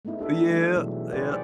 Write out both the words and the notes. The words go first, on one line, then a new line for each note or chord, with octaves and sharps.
Oh yeah, yeah,
G#3 A3 B3 D#4 E4
D4 G4 A4 E5
E3 G3 A3
B2 E3 F#3 G#3
G4 G#4 B4 C5 D5 F#5
G#4 D5